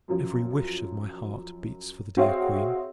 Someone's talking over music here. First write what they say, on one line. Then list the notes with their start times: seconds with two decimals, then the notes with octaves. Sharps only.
Every wish of my heart beats for the dear Queen.
0.08 F#2 F3
2.17 C4 F#4 G#4 C#5 E5 F5